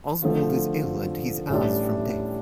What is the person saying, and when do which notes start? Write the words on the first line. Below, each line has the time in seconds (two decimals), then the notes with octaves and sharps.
Oswald is ill and he's hours from death.
0.22 D3 F3 A3 C4 F4
1.49 A1 A2 G3 D4